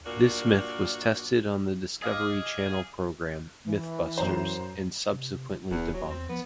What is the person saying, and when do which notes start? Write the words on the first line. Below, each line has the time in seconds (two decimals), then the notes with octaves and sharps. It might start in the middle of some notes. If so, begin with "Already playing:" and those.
This myth was tested on the Discovery Channel program "MythBusters", and subsequently debunked.
0.05 G2 A#2 D4 F#4 A#4 D5
2.02 G#4 D#5 F5 D6
3.67 E3
4.18 F#2 C5 A#5
5.12 C3
5.70 D1 E2
5.94 F#3
6.09 E2 C4
6.29 F3 B3